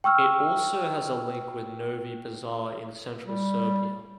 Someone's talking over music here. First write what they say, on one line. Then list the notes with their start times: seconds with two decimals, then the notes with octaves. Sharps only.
It also has a link with Novi Pazar in Central Serbia.
0.04 G5 C#6 E6 F6
3.26 G3